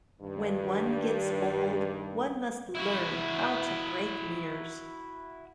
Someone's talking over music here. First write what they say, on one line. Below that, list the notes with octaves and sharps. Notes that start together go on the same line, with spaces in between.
When one gets old, one must learn how to break mirrors.
G2 D#3
E4 F#4